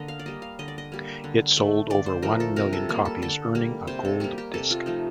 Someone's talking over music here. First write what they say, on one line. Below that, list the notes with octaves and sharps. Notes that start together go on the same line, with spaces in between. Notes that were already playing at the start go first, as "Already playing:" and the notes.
It sold over one million copies, earning a gold disc.
Already playing: D3 A#3 D#5
F5
D5
G3 A#3 D#5
F5
D3 D#5
D5
D#5
G3 A#3
D3
A3
D3 D5
C5
F3 A3 A#4
A4
C3 A#4
A4
G3 A#3
A4
D3 A4
G3 A#3
C3 C5
A4
G3 A#3 G4
G4
C3 A4
F4
F3 A3 D#4